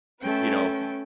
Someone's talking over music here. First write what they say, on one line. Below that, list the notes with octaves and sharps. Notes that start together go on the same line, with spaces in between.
you know
A3 C#4 A4 B4 G5